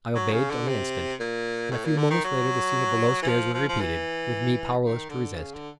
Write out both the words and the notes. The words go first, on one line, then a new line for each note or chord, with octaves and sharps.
I obeyed on the instant and a few moments later the scene of below-stairs was repeated, with me powerless to resist.
F#3
C#3
D3
C3
A#2
A2
A#2
D3
D#3
F#3
E3
F3
F3
F3
E3
D#3
D3
C#3
D3